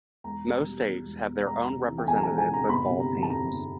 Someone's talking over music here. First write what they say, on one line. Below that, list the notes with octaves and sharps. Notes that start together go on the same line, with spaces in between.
Most states have their own representative football teams.
E1 A#5
B2
G3
E2
E1
B2
E1 A#5
C3
E3
G5
E2 G#5
A#5
E1 A5
G#5
C3
A#5
G1 B5
C3
A#5
G1
A5
F2 A#5
G1